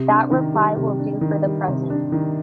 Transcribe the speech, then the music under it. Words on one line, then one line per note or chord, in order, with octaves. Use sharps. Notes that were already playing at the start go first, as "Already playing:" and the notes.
That reply will do for the present.
Already playing: C3
D4
D#3
G3
C3
D4
D#3
G3
C3
D4
D#3